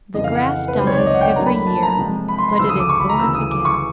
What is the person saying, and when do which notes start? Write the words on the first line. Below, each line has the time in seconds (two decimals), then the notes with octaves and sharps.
The grass dies every year, but it is born again.
0.14 F2 C#3 E3 D#5
0.24 F5
0.35 F#5
0.68 B4
0.75 C#2 C3 D#3 F#3 C5
0.87 C#5
0.97 D5
1.06 D#5
1.14 F#5
1.21 G5
1.36 A2 F#3 A#3 D4 A#5
1.46 B5
1.67 A5
1.83 A#5
1.97 C3 F3 G#3 C4
2.28 B5
2.39 C6
2.49 C6
2.59 D2 C#3 F3 A3 E6
2.69 D#6
2.79 D6
2.89 C#6
3.00 B5
3.09 A#5
3.19 D2 C#3 E3 E6
3.35 D#6
3.51 D6
3.65 C#6